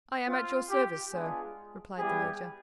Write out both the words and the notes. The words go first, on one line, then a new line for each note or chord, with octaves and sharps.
"I am at your service, sir," replied the major.
C4 F4
G4
G#3 B3 D4 F4 G#4
G3 B3 E4 G4 G#4